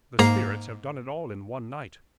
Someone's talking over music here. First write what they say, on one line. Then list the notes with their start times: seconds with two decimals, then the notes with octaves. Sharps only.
The Spirits have done it all in one night.
0.19 G#2 A#3 A#5 C7